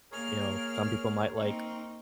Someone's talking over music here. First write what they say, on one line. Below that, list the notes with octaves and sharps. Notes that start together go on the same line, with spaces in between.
you know, some people might like
A#3 G#4 A#4 C#5 F6
A#3 C4 D#4 C#6